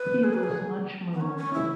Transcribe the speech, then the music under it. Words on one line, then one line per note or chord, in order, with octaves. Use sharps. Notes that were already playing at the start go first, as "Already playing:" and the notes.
He was much moved.
Already playing: B4
G#4
B4
G#4
B3
C#4
C#4
E4